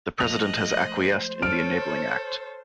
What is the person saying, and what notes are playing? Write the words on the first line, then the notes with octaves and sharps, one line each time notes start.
The President has acquiesced in the Enabling Act.
F3 G#3 A3 D#5 F#6 F7
C5
A4 C#5 F6 D7